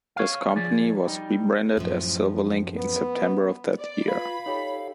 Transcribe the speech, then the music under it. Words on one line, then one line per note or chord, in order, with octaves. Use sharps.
This company was re-branded as Silverlink in September of that year.
C#5 F5
F3 G#4 D5
G3 D#4
F#2 A2 F3
B3
D5
F4 B4 F5 B5 G#6
D#4 G4 A4 C#5